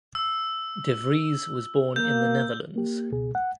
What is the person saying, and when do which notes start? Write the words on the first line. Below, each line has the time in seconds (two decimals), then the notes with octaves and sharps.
De Vries was born in The Netherlands.
0.15 E6
1.96 A#3 G6
2.76 A#3 G4
3.12 C#2 B2 G#4
3.35 F#5